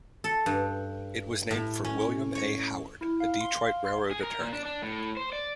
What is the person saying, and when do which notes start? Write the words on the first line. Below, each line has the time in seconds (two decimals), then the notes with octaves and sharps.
It was named for William A. Howard, a Detroit railroad attorney.
0.24 A4
0.46 G2
1.51 A2
1.84 C#4
2.35 C#5
3.01 E4
3.20 F5
3.41 C6
3.62 F5
3.85 C6
4.11 G#4
4.23 A#4
4.40 A#2
4.53 D4
4.65 D4
4.82 A2
5.17 C5
5.33 D5